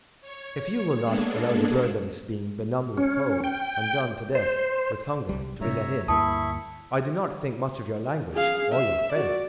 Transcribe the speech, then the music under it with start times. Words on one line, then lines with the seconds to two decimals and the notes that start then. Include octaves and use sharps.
If you will not allow the bird that is being benumbed with cold, and done to death with hunger, to be let in, I do not think much of your language or your faith.
0.21 C#5
1.04 G#3 A#3 B3 D4 G#4 A4
2.98 C#4
3.44 G5
4.35 C5
5.29 C2 G3
5.61 G2 C3 C#5 E5 A#5
6.08 D2 G2 A#3 E4 A5 B5 C#6 D#6
8.34 G#4 F5
8.72 E5
9.13 F#4 D5